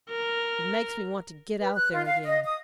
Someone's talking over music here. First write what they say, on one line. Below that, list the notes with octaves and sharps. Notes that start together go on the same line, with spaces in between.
It makes me want to get out there again.
A#4
B4
F#6
F4
F5
D#5
D#6